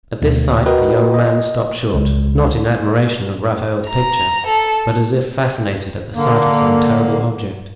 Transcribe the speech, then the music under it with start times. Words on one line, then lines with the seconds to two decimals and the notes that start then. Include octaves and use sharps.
At this sight the young man stopped short, not in admiration of Raphael's picture, but as if fascinated at the sight of some terrible object.
0.22 D2 B2
0.66 F#4 A#4 B4 D#5 G5
1.14 D#5
1.94 C#2
3.88 A#5
4.46 A4
6.14 D3 A#3